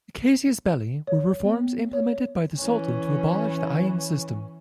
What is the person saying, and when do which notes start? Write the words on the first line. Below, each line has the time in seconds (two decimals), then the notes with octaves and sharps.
The "casus belli" were reforms implemented by the Sultan to abolish the ayan system.
1.07 C#5
1.44 B3
1.93 C#5
2.57 E3 C#4